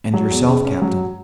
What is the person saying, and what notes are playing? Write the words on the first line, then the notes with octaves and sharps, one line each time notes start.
"And yourself, captain?"
F#3
E2
C#3
C#4
F#3